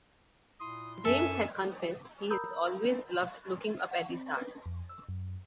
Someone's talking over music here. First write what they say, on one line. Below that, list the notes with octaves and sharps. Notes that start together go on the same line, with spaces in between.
James has confessed he has always loved looking up at the stars.
A#2 E4 C6 D#6
F#2 A4 E5 G#5
A#4 A#5 B5 D#6 E6 G6
F#5
C4
B4
F2
E6
F#2